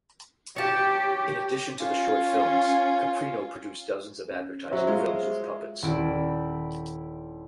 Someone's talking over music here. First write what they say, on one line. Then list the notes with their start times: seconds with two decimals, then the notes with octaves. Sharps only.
In addition to the short films, Caprino produced dozens of advertising films with puppets.
0.56 G4 C#5 A5
1.78 C#4 F4
4.31 C#4
4.71 F#3 C#4 C5 C#5 E5
4.87 G#3 F4
5.82 D#1 E4 D7